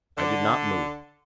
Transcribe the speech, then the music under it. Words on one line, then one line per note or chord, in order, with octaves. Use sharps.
I did not move.
D3